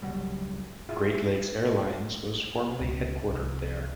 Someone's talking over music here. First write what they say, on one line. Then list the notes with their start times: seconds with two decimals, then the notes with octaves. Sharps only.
Great Lakes Airlines was formerly headquartered there.
0.02 C#2 F#3 G3
0.89 E4 F4 G#4 E5
2.81 C#2
3.30 C2